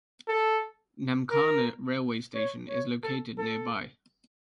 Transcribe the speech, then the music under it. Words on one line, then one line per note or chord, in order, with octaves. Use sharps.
Namkhana railway station is located nearby.
A4
A#4
C#5
C#5
A4
A4